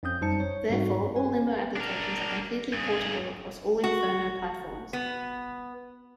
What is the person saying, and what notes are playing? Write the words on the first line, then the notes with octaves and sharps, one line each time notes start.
Therefore all Limbo applications are completely portable across all Inferno platforms.
F2 C4 C#4 D#6 G6
F#2 G3 D#4 C5 A5 C#7
C#5
G#2 G3 C4 D#4 F#4
G2
B4 G#5
D4 A#4
G2 G#4
F#4
B3